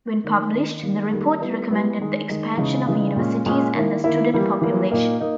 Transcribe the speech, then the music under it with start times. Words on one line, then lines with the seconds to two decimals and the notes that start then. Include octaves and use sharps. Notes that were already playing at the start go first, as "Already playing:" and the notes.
When published, the report recommended the expansion of universities and the student population.
0.24 D#3 A#3 D#4
0.54 D#3 A#3 D#4
0.83 D#3 G3 A#3
1.12 D#3 G3 A#3
1.41 G3 B3 E4
1.70 G3 B3 E4
2.00 D#3 G#3 D#4
2.29 D#3 G#3 D#4
2.58 C#3 E3 G#3 D#4
2.87 C#3 E3 G#3 D#4
3.16 A#2 G#3 C#4
3.46 A#2 G#3 C#4
3.74 D#3 A#3 E4
4.04 D#3 A#3 E4
4.34 E3 G3 A#3
4.62 E3 G3 A#3
4.91 A#2 A#3 D#4
5.20 A#3 D#4